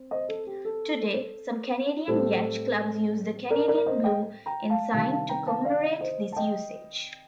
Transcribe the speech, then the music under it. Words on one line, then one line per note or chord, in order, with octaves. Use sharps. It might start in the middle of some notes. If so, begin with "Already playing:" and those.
Today, some Canadian yacht clubs use the Canadian Blue Ensign to commemorate this usage.
Already playing: C4
C5 D#5
A4
G4
A4
A2 G3 C4 A4 C5
A#4 D5
A#4 D5
C5 D#5
D#5 G5
G5 A#5
F5 A5
C3 D#3 G3 F5 A5
F5 A5
G5 A#5
F5 A5
D5 F5
C5 D#5
A5
D#5 G5